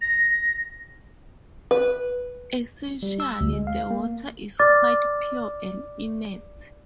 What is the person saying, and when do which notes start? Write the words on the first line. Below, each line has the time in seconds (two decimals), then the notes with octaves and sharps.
Essentially, the water is quite pure and inert.
0.01 A#6
1.71 B4
3.03 G3
3.20 E6
3.41 D2
3.53 G#3
3.67 F5
3.91 A#3
4.59 D5 D6 F6 A6